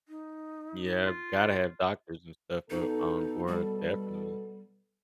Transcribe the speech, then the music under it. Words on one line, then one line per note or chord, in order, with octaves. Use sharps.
Yeah, gotta have doctors and stuff o on board, definitely.
D#4
F4
B2 B3 D#4 A4
G3